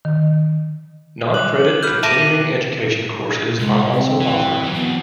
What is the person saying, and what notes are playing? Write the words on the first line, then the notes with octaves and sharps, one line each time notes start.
Non-credit continuing education courses are also offered.
D#3
D6 F#6 F#7
F#4 F6 G6
E5 A5 D6 A#6 D7 D#7
C2 G#3
C4
E3
E3 F#3
B3